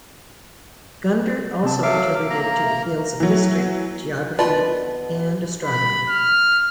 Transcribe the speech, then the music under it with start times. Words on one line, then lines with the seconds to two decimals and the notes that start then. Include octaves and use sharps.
Gundert also contributed to the fields of history, geography and astronomy.
1.63 C3 C4 A5
1.83 F#3 A4 E5 F5 D6
2.30 A#3 A#5
3.20 E3 F#3
4.39 B3 F4 B4 D5 D#5 A5
5.65 B5
6.09 F6